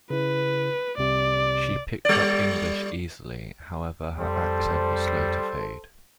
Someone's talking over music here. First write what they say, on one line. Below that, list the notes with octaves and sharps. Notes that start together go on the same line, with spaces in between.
She picked up English easily, however, her accent was slow to fade.
C#3 E4 B4
C2 C3 D5
G3 D5
F2 G3 A4 C5